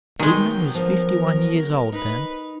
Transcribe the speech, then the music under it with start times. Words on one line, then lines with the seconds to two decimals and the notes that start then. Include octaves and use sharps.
Whitman was fifty-one years old then.
0.19 D#3 F#3 G#3 B3 A#4 G5 G#5
0.75 F3 A#4
1.92 D#4 B4